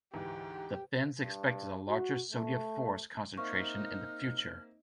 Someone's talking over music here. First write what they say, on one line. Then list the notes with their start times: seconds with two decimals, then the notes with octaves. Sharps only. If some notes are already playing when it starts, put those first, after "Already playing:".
The Finns expected a larger Soviet force concentration in the future.
0.14 D2 G#2 E3 G4
1.19 G2
1.87 F#4
2.32 A3
3.37 A#3 C4 D#4 E5 C#6 F6